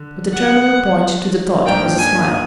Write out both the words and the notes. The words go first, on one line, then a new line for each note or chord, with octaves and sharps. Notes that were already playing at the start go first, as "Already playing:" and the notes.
But the terminal point to the thought was a smile.
Already playing: D3
F#5
G#2 F3 A#3 D4 G5
G#5